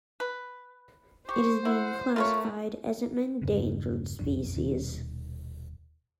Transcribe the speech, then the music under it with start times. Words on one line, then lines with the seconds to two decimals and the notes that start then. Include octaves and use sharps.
It has been classified as an endangered species.
0.20 B4
1.29 G4 C5 C#6
1.65 E4 F#5
2.16 A3 F4 A#4 B4 C#5
3.41 E1 G2 C#3
4.19 F#1 B1 F2 D4
4.55 D#1 B2 D#3